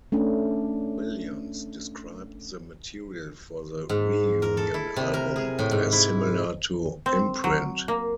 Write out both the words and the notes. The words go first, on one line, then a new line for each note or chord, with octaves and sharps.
Williams described the material for the reunion album as similar to "Imprint".
A3 C#4 D4
G#2
A#4
A4
E4
C3
A#4
G#4
A2
G#2
E4
C4
F#3
A#3